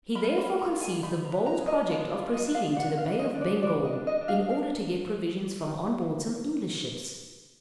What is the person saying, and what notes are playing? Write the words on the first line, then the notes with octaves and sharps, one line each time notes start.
He therefore conceived the bold project of proceeding to the Bay of Bengal, in order to get provisions from on board some English ships.
A#4 B5
B5
A#4
A#5
F4
G#5
D#4 B5
A#5
B4
A#5
G#4
D#5
F4 B4
D5
F4
D#5
D4
F5
D4 F#5
F5
D4
D#5
D4
D5
D4 D5
D#5
D4
D#5
D4
F5
A#4 F5